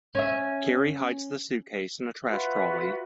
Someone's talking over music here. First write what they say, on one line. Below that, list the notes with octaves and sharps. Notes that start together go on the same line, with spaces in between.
Carrie hides the suitcase in a trash trolley.
C#4 E5
F4 F#4 B4 E5